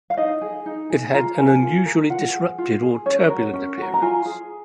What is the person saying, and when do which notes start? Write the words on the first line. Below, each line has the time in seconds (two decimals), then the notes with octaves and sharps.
It had an unusually disrupted or 'turbulent' appearance.
0.10 F5
0.17 D#4 D#5
0.42 G#4
0.66 D#4
0.90 G#4
1.13 F4 A#5
1.38 A#4 G#5
1.62 F4
1.85 A#4
2.10 F4 F#5
2.34 G#4
2.58 F4
2.82 G#4
3.06 C#4 C#5
3.30 F#4 A#4
3.53 C#4
3.78 F#4 A#4
3.94 A#5
4.02 F4 G#5
4.26 G#4